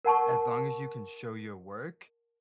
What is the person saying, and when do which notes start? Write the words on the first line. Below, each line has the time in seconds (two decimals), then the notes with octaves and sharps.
as long as you can show your work
0.05 A#4 F#5 A5 C#6